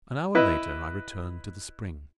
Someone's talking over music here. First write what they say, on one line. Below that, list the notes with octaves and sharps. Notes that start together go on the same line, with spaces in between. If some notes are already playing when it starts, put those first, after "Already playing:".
An hour later I returned to the spring.
E4 B4 D#5